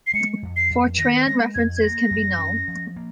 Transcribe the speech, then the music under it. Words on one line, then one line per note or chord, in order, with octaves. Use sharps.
Fortran references can be null.
C7
G#3 C#7
F2
C7
F2
D#3 A#6
G#3 A#6
F2 G#6
G#6
A#3 A#6
F#2
C#4
F3
A#3